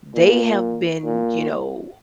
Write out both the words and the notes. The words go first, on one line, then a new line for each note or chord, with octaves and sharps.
they have been, you know,
A#2
A#2